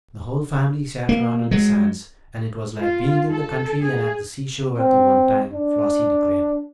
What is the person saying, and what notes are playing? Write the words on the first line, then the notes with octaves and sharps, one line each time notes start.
The whole family sat around on the sands, and it was like being in the country and at the seashore at the one time, Flossie declared.
A#3
F#3 G#3
F4
A4
G#4
C4
D4